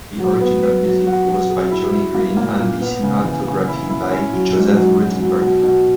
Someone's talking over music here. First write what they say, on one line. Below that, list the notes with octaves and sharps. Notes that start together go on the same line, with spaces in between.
The original music was by Johnny Green and the cinematography by Joseph Ruttenberg.
F#3
B3
B4
F#3
F#4
F#3
G#4
E4
E4
A#3
A#3
A#2
B3
C#3
E3
C#3
E4
E4
C#4
F#3
G#2
F#3
F#3
F#3
B2
B2